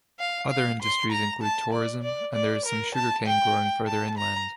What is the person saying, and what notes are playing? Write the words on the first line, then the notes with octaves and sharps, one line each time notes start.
Other industries include tourism and there is some sugar cane growing further inland.
F5
F5
C6
A#5
A5
D5
D5
D5
A#4
A5
G5
A5
A#5